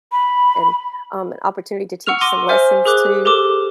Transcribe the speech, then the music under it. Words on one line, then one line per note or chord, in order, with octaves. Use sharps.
and, um, an opportunity to teach some lessons too.
B5
F#5 C#6 E6 F6 F7
C6 D6 A#6 D#7
C5 E5 G#5 F6
G#4 A#4 D6 F#6
G4 A4 A#4 D6 E7